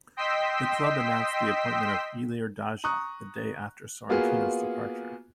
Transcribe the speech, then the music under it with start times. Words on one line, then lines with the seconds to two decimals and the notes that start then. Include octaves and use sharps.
The club announced the appointment of Ilir Daja the day after Sorrentino's departure.
0.17 D#5 G5 C6 E6 B6
2.84 A#5 C#6 D#6 F#6
4.09 A#3 B3 F4 F#4 G#4